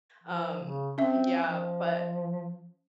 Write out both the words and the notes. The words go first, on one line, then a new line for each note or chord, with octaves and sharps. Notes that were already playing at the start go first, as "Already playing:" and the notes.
Um Yeah, but
F3
C#3
C4 C#4 E5
F3